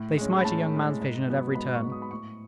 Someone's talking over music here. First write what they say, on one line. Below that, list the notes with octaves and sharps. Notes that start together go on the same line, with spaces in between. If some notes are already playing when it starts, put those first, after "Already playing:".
They smite a young man's vision at every turn.
Already playing: A2
G#3 C#4
B5
A2 A5
G#3 C#4
G#2
F#3 B3
G#2 B5
C#6
F#3 B3
D#6
B5
A2 C#6